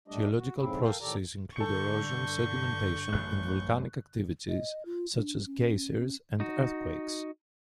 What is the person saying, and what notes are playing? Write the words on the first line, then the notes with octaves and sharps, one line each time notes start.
Geological processes include erosion, sedimentation, and volcanic activities such as geysers and earthquakes.
G3 A3 D4 G4 D#5
F#4
F2 G#2 C#3 C4 E4
A4 A#4 F5 G5
A2 D#3 G4 A4 D5 A#5
G2 D3 A4 C#6 G6 C#7
A1 F#2 A3 F#6
D#5
F4
D4
C#4
D#4 F#4